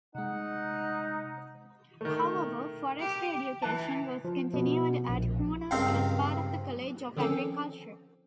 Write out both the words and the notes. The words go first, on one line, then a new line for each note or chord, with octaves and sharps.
However, forestry education was continued at Cornell as part of the College of Agriculture.
C3 G#3 D#4 F#5
D#3 A3
G4
E3 A5 F#6
F3
B2
A#1
C#2 G2 C3 D#3 C4 F5
D3 D#3 F3 C4 C#4 A4